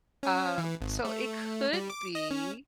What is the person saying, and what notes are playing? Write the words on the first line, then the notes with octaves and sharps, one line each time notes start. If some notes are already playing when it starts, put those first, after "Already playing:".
uh, so it could be,
C#4
E3
G#1
A3
G3
D6
D#5
C#4